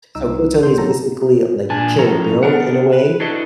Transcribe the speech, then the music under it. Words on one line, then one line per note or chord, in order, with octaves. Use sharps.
so Kill Tony is basically like Kill Bill in a way,
C2 D#4 E6
D3 C6 G6
D#3 F#3 B3 A4 A#5
A#2 D4 G#5 A5
F3 C#4 A4 A#5
B3 D4 A#4 F#5
B4
D4 E4 F#4 A4 B4 D#5